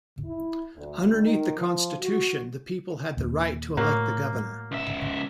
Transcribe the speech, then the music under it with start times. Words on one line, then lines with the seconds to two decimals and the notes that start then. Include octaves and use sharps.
Underneath the constitution, the people had the right to elect the governor.
0.24 E4
0.75 D2
1.22 D#3
1.57 F3
1.99 F#4
3.17 D#2 A#2
3.77 A2 F#3 A#3
4.72 C#2 E5